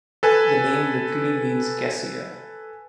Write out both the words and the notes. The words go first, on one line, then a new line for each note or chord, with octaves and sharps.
The name literally means "cassia".
A4 B4 G#5